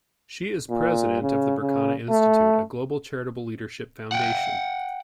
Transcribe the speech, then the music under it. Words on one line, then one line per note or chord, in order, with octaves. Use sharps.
She is president of the Berkana Institute, a global charitable leadership foundation.
A#2
C#3
C#3
A3
F#5 G5